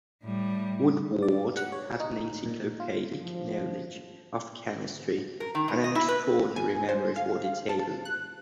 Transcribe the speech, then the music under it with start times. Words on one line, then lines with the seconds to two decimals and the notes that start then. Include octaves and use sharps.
Woodward had an encyclopaedic knowledge of chemistry, and an extraordinary memory for detail.
0.23 A2 G3
1.22 D5
1.57 F#5
1.72 C#5
2.00 D#4
2.46 A#2
2.80 F4
3.21 F3
5.40 A#4
5.55 D#3
5.68 B2
5.84 D#5
5.95 E4
6.08 B4
6.56 G#5
6.89 C5
7.16 F5
7.69 A5
8.05 F#6